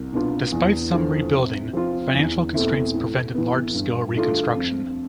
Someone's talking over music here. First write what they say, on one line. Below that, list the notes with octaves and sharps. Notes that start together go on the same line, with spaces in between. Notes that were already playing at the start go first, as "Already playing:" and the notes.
Despite some rebuilding, financial constraints prevented large scale reconstruction.
Already playing: C2
B2 B3 D4 F4
E2
D3 F3
C3
F3 C4 F4
E2
B2 A3 C4 E4
A2
E3 B3
G2
D3 A3 D4 F4
F2